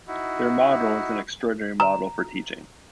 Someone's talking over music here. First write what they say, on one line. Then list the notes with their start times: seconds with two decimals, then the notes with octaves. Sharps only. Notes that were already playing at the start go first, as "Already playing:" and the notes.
Their model is an extraordinary model for teaching.
0.07 D#4 E4 F#4
1.80 A#5